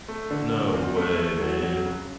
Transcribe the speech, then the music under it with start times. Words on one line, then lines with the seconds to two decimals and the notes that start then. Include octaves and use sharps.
No way, man.
0.08 A3
0.31 D3
0.52 D3
0.74 E2
0.96 A3
1.18 A3
1.40 F#3
1.63 F#3
1.85 C#3